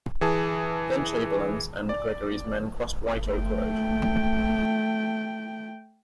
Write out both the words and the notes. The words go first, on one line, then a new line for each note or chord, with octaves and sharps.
Then Chamberlain's and Gregory's men crossed White Oak Road.
E3 G#4 A5
D5
A3 G5